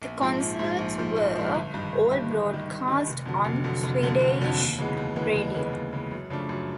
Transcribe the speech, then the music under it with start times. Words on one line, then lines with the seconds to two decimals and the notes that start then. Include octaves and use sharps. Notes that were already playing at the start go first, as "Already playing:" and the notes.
The concerts were all broadcast on Swedish radio.
0.02 A#1
0.21 G#2 F3
0.40 A#1
0.59 G#2 F3
0.78 A#1
0.98 G#2 F3
1.17 A#1
1.35 G#2 F3
1.54 G1
1.74 G2 D#3
1.92 G1
2.11 G2
2.16 D#3
2.31 G1
2.50 G2 D#3
2.69 G1
2.88 G2 D#3
3.07 F1
3.26 F2 D3 F#3
3.45 F1
3.64 F2 D3 F#3
3.83 F1
4.02 F2 D3 F#3
4.21 F1
4.40 F2 D3 F#3
4.59 D#2
4.78 C#3 E3 G#3 B3
4.97 D#2
5.16 C#3 E3 G#3 B3
5.35 D#2
5.54 C#3 E3 G#3 B3
5.73 D#2
5.93 C#3 E3 G#3 B3
6.11 F#2
6.30 C#3 F3 A3 D4
6.49 F#2